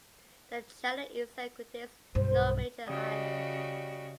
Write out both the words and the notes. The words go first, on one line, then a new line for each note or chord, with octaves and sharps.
The channel itself contains no major islands.
B1 G2 C5
C#3 G3 F#4 D#5